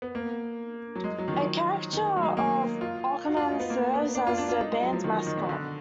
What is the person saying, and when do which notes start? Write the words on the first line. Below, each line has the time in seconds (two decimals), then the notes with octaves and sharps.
A caricature of Aukerman serves as the band's mascot.
0.02 B3
0.15 A#3
0.96 F#3
1.04 G#3
1.19 F#3
1.28 D#3
1.33 F3
1.93 D#3
2.17 F#3
2.22 G#3
2.37 A#3
2.81 F4
3.27 F#4
3.37 F4
3.48 D#4
3.60 B3
3.70 A#3
3.94 B3
4.15 D4
4.27 F4
4.38 D4
4.49 F4
4.60 D#4
4.72 G#3
4.83 F#3
4.93 F3
5.04 D#3
5.27 D#3
5.37 B2
5.49 D3